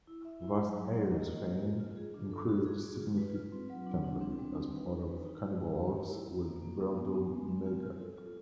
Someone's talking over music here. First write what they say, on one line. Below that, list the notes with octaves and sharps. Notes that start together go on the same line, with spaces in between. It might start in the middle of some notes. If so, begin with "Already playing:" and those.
Vast Aire's fame increased significantly as part of Cannibal Ox with Vordul Mega.
E4
E5
E4
F#3
F#3
A#3
D#5
F4
F4
F4
F4
G#4
D4
A4
F#4
G#4
G#4
F4
B4
F4
C4
F#3
D4
D4
C4
G3
F4
B4
D#4
B4
D#4
D#4
D#4
G4
A3
E4
F4
A#3
A#3
B3
B3
B3
G#3
C4
F4
F4
A4
F4